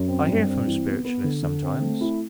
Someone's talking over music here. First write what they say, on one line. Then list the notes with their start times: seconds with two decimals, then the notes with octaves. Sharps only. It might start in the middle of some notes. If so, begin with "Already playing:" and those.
I hear from spiritualists sometimes.
Already playing: F#2
0.08 C4
0.27 G2
0.47 C4
0.66 E3
0.86 B3
1.05 B3
1.24 D3
1.43 D3
1.62 C4
1.81 A3
2.01 E4